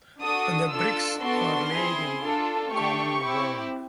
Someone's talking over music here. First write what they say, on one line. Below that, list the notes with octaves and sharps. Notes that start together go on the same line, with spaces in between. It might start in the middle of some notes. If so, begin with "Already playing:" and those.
The bricks are laid in common bond.
D4 F#4 A4 D#6
D4 F4 A4 E6
B3 D4 F#4 A4 C6
C4 E4 G#4
D4 F4 A4
A3 D4 G4 C#6
C4 E4 G4